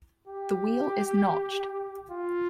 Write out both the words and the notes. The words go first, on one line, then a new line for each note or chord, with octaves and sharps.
The wheel is notched.
G4
F4